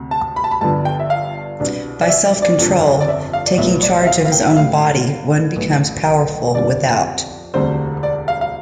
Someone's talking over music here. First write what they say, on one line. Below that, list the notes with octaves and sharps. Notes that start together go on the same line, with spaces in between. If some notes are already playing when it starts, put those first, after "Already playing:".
By self-control, taking charge of his own body one becomes powerful without.
Already playing: D2 C3 C4
A5
B5
A5
B5
G1 G2 D3 F3 B3 A5
G5
E5
F5
C2 B2 B3 D4
D5
E5
D5
D5
G1 F2 D3 F3
D5
E5
F5
D5
B1 A2 F3 B3 E5
D5
E5
F5
F5
G5
E5
A1 A2 G3 F5
B1 A2 E3
F2 D3 G3 B3 D5
E1 D2 D3 G3 C4 C5
D5
F5
F5